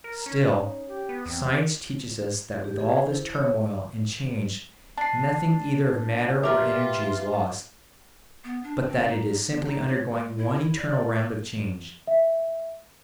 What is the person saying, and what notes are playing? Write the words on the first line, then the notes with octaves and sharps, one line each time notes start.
Still, science teaches us that with all this turmoil and change nothing either of matter or energy is lost, but that it is simply undergoing one eternal round of change.
A#4
C#4 D#4
G4
B3
E2 C4
G4
G#4
C5
E4
C#5
D4 A5 C7
F4 G4 A#4 B4 E5 F6
B3
D4
C4
D#4
B3
D#4
C#5
G#3
E4
E4
D5
E5